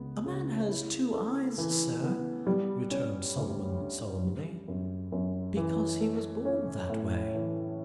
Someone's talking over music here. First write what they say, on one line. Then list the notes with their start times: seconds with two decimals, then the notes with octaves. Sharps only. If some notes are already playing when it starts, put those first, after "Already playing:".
"A man has two eyes, sir," returned Solomon, solemnly, "because he was born that way."
Already playing: C#2 B3
0.25 C#3
0.69 E4
1.14 A4
1.58 E3
2.03 B3
2.47 G3
2.91 C#4
3.36 D2
3.79 D3
4.23 G3
4.68 F#2
5.12 F#2
5.57 E3
6.01 A3
6.45 C#4
6.90 A2
7.35 E3